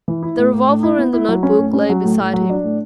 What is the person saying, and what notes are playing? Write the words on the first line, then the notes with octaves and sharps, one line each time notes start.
The revolver and the notebook lay beside him.
E3
E4
A2
A2
A2
E4
B3
E4
F#3
C#4
A2
C#4
F#3
A2
A2
F#3
D4
A2